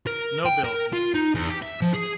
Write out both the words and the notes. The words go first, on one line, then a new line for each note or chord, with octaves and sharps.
No build, yeah.
A#4
G5
A#4
F4
D#4
E2
G4
E5
F3
G#4